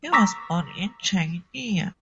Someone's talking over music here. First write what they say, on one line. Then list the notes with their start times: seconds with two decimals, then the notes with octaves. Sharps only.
He was born in Chania.
0.12 A#5 C#6 D6 E6 A#6 B6